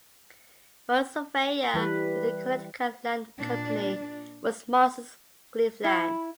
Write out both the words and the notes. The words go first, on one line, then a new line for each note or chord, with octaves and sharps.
One surveyor with the Connecticut Land Company was Moses Cleaveland.
E3 G3 B4
A#2 D4
E4 B5